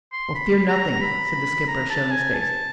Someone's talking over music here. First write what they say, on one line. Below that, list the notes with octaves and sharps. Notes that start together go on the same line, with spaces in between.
"Oh, fear nothing," said the skipper, showing his face.
C6
B5
A#5
B5
A#5
A5
G#5
A5